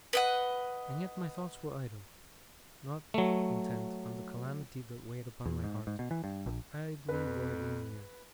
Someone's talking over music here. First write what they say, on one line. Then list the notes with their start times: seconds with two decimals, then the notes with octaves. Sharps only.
And yet my thoughts were idle; not intent on the calamity that weighed upon my heart, but idly loitering near it.
0.13 B4 D#5 F#5
3.14 F#3 A3
5.46 E2
5.64 G#2
5.87 G#2
5.99 B2
6.11 E3
6.24 G2
6.46 A#1
7.09 F2 B4